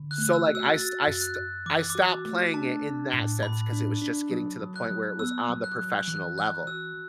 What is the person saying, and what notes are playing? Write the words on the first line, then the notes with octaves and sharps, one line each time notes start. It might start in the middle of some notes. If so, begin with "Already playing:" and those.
So like I st I st I stop playing it in that sense 'cause it was just getting to the point where it was on the professional level.
Already playing: D3
F#6
A3
E6
F#4
E6
F#4 A6
F#2
F#6
F#2
E3 D6
E6
D6
F#4
A3
D4 A5
D4
A2
A2 B5
D4
D4
F#3
F#3
F#6
F#3
B3 E6
F#3
F#6
F#3
E3 F#6
E3 F#6
F#4 E6